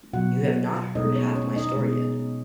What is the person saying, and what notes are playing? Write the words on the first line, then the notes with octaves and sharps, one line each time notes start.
You have not heard half my story yet!
B2 F#3 F#4 F#5
B2 G#3 D#4 D#5
C#4 C#5
C#4 C#5
D#4 D#5
B2 G#3